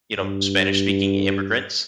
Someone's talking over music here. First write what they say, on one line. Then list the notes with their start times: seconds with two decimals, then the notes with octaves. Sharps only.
you know, Spanish-speaking immigrants,
0.19 G2